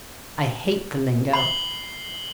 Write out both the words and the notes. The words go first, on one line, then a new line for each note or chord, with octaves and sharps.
'I hate the lingo.
B5 C7 F#7 G7